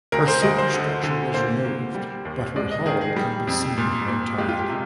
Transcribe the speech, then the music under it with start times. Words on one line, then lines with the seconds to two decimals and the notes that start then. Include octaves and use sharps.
Her superstructure was removed but her hull can be seen in low tide.
0.12 D2 A#4
0.28 C5
0.42 D2 D#5
0.58 C5
0.74 D3
1.03 D3
1.34 A#3 C5
1.65 A#3
1.95 G3
2.25 D#2
2.56 G#3 D5
2.71 D#5
2.86 D#3 G#4
3.01 G#4
3.16 G3
3.47 F2
3.77 A#2
4.08 A#2
4.38 G#3 G4
4.49 F4
4.59 G4
4.69 C3